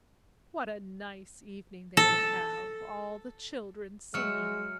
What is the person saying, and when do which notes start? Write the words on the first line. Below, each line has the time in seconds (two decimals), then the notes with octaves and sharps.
What a nice evening they would have, all the children singing!
1.97 A4
4.14 F#3 G#3 E5 F6 C#7